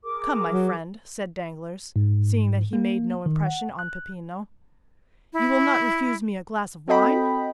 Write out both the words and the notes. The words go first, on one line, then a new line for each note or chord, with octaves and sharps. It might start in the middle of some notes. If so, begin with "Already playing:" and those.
"Come, my friend," said Danglars, seeing that he made no impression on Peppino, "you will not refuse me a glass of wine?"
G#4 A#4 D6
F#3
G#2
A#3
D#3
F#5
F#6
E4
C4 F#4 A4 D#5 G5 B5